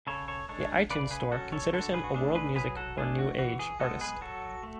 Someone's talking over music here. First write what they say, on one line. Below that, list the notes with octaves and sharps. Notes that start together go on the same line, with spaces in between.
The iTunes Store considers him a World Music or New Age artist.
C#3 A4 C#5
A4 C#5
G#3 D4 A4 C#5
C#3 B4 D5
G#4 B4
F#3 C#4 F#4 A4
A4 C#5
D3 F#4 A4
G#4 B4
F#4
A3 D4 G#4
G#4 B4
F#3 G#4 B4
F#4 A4
A3 D4 G#4
F#4
E3 F#4
G#4
G#3 B3 F#4 A4
G#4 B4
F#3 F#4 A4
A3